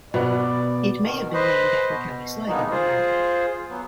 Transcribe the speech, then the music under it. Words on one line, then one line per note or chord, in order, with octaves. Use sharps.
It may have been named after County Sligo in Ireland.
B2 B3 D5
B2 D#3
B4 C5 D#5
B2
D3 G3 G#3 A#3 B3 D#4
F4 G#4 C5
F#3 B3